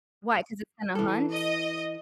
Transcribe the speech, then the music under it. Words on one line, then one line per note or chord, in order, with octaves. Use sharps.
Why, 'cause it's gonna hunt?
E3 A4
D#5